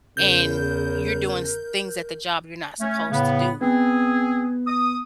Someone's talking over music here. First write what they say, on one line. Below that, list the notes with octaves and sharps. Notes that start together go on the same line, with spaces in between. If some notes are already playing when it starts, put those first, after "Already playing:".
and you're doing s things at the job you're not supposed to do,
E2 C#3 A#4 G6
A3 C#4
A2 C#3 B3
B3 C4 G#4
D#6